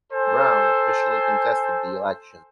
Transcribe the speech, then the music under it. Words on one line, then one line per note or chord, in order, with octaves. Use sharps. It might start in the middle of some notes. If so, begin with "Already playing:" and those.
Brown officially contested the election.
A4 C5 G#5